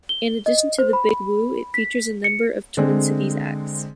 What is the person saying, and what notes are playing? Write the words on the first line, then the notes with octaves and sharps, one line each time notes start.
In addition to the Big Wu it features a number of Twin Cities acts.
G7
D#5
C5
B5
B6
C#7
D3 G#3 C4